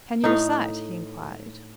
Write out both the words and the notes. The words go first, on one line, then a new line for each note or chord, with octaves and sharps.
"Can you recite?" he inquired.
A2 D#4